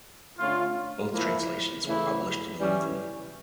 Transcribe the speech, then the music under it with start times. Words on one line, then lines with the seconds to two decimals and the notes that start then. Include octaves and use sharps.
Both translations were published in Leuven.
0.37 D3 A3 C#4 F4
1.11 F3 A#3 E4
1.84 C#3 E3 A3 E4
2.57 E3 G3 C#4